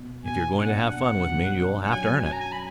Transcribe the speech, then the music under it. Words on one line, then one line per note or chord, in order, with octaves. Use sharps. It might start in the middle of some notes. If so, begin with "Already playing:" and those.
If you're going to have fun with me you'll have to earn it.
Already playing: B2
B2 G#5
D4 F#5
B2 F#5
F#2
D4
F#5
F#3 G#5
F#2 G#5
A#5
G#5
B5